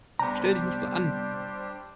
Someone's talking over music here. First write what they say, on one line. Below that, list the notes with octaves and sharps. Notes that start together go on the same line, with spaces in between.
Stell dich nicht so an!
C2 G3 B3 D4 G4 C5 A#5